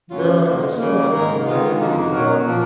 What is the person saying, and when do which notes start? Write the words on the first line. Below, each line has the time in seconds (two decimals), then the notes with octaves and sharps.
Yeah, and I still have some movies, um,
0.10 F#2 C#3 F#3 C#4 F4
0.43 F#2 D#3 A#3
0.77 C#3 F#3 A#3
1.10 G#2 D#3 G#3 D#4 A#4
1.44 D#3 G#3 B3 F4
1.77 F2 D#3 A#3 D#4 F#4
2.11 F#3 C#4 F#4 A#4
2.45 A#2 F3 A#3